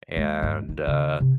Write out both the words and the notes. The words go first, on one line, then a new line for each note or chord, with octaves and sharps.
and, uh,
G#3
G2
D#4
C#3
C3